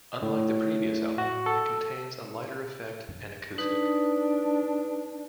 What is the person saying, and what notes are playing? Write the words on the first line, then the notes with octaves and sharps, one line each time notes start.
Unlike the previous album, it contains a lighter effect and acoustic.
A2
F#4
A4
D4 D#4 B4